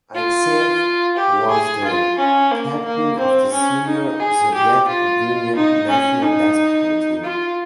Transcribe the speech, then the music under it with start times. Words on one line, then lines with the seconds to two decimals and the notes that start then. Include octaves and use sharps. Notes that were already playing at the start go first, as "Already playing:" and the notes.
Alekseev was the captain of the senior Soviet Union national basketball team.
0.15 F4
1.17 G4
1.50 G#4
1.84 F4
2.18 C#4
2.52 A#3
2.85 A#3
3.19 C4
3.52 C#4
3.86 D#4
4.20 G#4
4.54 G4
4.88 F4
5.55 D#4
5.89 C#4
6.22 D#4
7.24 F4